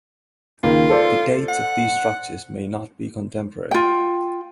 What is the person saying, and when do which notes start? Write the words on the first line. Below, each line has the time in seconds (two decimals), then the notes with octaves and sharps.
The dates of these structures may not be contemporary.
0.63 C#2 D#3 A#3 F4
0.90 A4 C5 D5
1.48 F#5
3.71 F4 G5